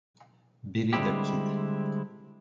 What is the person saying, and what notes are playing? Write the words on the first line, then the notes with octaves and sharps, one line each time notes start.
Billy the Kid.
D3 G3 G#3 C4 E4 G4